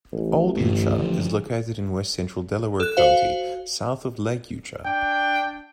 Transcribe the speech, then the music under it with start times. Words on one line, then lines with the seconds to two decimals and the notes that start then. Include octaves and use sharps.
Old Eucha is located in west-central Delaware County, south of Lake Eucha.
0.12 A1
0.57 G2 D3 A3
0.98 D3 F3
2.80 A4 F#6
2.97 F#4 C5 F5
4.85 D4 G5